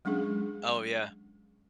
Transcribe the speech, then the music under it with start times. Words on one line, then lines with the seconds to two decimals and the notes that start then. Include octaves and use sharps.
Oh, yeah.
0.05 F#3 G#3 C#4 D4 G#4